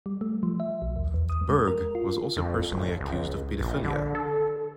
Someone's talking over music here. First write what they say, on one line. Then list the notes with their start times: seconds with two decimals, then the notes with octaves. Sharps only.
Berg was also personally accused of pedophilia.
0.06 G3
0.21 A3
0.43 F3
0.60 E5
0.82 B1
0.96 D#2
1.14 E2
1.29 D#6
1.49 G#3
1.68 A#4
1.95 F4
2.36 F2
2.70 D1
3.01 C#2
3.60 A#1
3.84 D3
4.15 A4